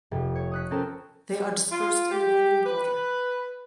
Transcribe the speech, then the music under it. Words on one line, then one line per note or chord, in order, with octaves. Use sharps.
They are dispersed in the running water.
F1
C#5
D#6 F#6 B6
C4 C#4 A4 A#4 A5
F4
G4
B4